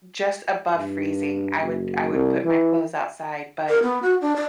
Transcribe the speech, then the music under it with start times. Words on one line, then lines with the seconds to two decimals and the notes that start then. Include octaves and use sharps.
just above freezing, I would I would put my clothes outside, but
0.76 G2
1.61 F#1
2.13 C2
2.44 E3
3.69 A#4
3.82 B3
4.02 F#4
4.21 D4
4.36 D5